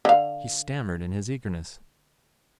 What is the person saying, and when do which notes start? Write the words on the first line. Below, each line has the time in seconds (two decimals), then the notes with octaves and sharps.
He stammered in his eagerness.
0.05 D3 F5